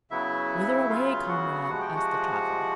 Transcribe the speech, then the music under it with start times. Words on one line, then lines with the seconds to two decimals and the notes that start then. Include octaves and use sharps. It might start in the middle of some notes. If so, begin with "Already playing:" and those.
"Whither away, comrade," asked the traveller.
0.11 C#3 F#3 B3 E4 E5
0.90 F4 F5
1.29 F#4 F#5
1.68 C3 F3 G#3 F#5
1.81 G5
1.95 F#4 F#5